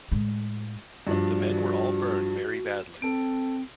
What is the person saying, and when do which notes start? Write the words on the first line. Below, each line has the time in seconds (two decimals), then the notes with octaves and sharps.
The men were all burned very badly.
0.12 A2 G#3
1.07 G2 F3 D4 F#4
3.02 C4 A4 D7